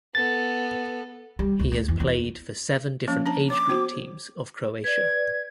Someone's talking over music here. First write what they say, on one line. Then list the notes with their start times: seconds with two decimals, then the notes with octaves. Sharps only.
He has played for seven different age group teams of Croatia.
0.15 B3 A4 A6
1.39 G3
1.59 D2
1.72 D2
1.88 E2
2.00 E2
3.08 F3 A#3 C#4
3.26 D4 A5 A#5
3.50 C#5 D6
3.69 B3 F#4 C5
4.84 B4 D5 G#6